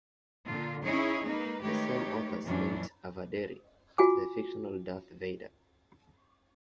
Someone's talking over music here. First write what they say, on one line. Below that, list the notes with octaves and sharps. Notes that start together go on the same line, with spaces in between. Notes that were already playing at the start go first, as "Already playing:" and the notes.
The same authors named "A. vaderi" after the fictional Darth Vader.
A#2 D3 F4
C#4 D#4 E4 G#4 C#5
G#3 A#3 D#4 B4
D#3 G#3 A3 G4 B4 C#5
F#2 A#2 E3 F#3 C#4 D4
F4 F#4 G#5 D6